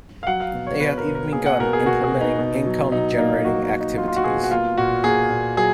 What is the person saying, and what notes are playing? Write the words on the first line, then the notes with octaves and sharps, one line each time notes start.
They have even begun implementing income generating activities.
F5
F#3 F#5
F5
B2
C#5
B2 B4
A#4
B2
A#4
A#3 G#4
F#5
B2 A#4
G#4
B2 F#4
G#4
B2
D#4
B2
F#3
F#3 D#4
A#3 D#4
F#3 F#4
D#4
A#3
D#4
F#3 F4
F4
F#4
B2 G#4
F#4
A#3 F4
A#2 F#4
A#3 G#4
A#2
F#3 G#4